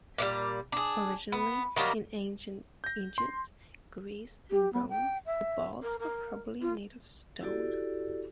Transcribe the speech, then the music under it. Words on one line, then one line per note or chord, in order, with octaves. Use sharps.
Originally, in ancient Egypt, Greece, and Rome, the balls were probably made of stone.
A#2 E3 G3
D4 G#4
B3
D#3 F#3 G3 A#3
G6 A#6
C6
G4
B3
G5
E5
A#4
A#4
F4
E4 F#4 G4 A4 D5